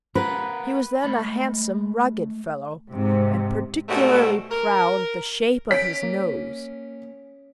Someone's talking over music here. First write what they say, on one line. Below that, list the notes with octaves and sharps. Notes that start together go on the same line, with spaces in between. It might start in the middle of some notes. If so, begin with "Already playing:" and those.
He was then a handsome, rugged fellow, and particularly proud of the shape of his nose.
B3 A#4 B4
G#3 A3 B5
G#2 C3
G#2 B2 G3 A3
A#4
C#4 C#5 B6 D7
A#3